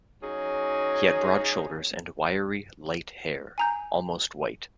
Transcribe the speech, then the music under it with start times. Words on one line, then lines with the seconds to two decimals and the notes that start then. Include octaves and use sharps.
He had broad shoulders and wiry, light hair, almost white.
0.23 F#3 C#4 D#4 G#4
3.58 G#5 A#5 G6